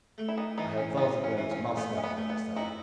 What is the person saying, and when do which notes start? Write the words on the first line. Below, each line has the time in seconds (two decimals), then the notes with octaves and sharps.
"I had thought of going to Moscow," she said.
0.18 A3
0.28 E4
0.37 B3 D#4
0.58 E3 B3 D#4
0.77 C#4
0.97 E3 B3 D#4
1.24 C#4
1.37 E3
1.51 C#4
1.77 A3 B3
1.98 C#4
2.04 B3
2.17 A3
2.30 B3
2.56 D#4 E4 F#4